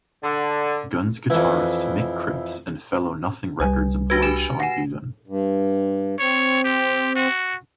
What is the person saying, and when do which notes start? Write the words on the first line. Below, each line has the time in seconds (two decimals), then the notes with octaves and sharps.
Guns guitarist Mick Cripps and fellow Nothing Records employee Sean Beavan.
0.24 D3
1.30 F2 E3
3.60 C2 G3 B4 G#5
4.10 D4 F#4 B4 G#6 A#6
4.23 G4 G#5 D7 E7
4.60 F#5 G#5 A#6 C7 E7
5.28 G2
6.20 C4 C#5
6.65 G4
7.16 F#4